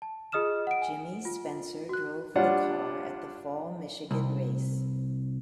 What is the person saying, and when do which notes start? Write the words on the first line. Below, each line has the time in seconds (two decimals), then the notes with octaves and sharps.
Jimmy Spencer drove the car at the fall Michigan race.
0.02 A5
0.32 F4 G#4 D#5 D#6 F6 E7
0.67 F#5 D7
0.82 G#5
1.25 F4
1.89 F#4 F#6
2.36 G3 D4 F4 C#5 F#5
4.11 C2